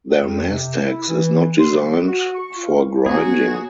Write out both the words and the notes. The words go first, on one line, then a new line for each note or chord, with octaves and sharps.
Their mastax is not designed for grinding.
F2
C3
E4
E3
C6
G3
F#4
C#6
F4
B3 F#4 G#4 C#5 G#5 A#5